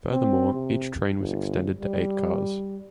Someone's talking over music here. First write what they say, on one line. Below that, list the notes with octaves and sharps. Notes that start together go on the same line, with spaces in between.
Furthermore, each train was extended to eight cars.
C4
C3
G1
G3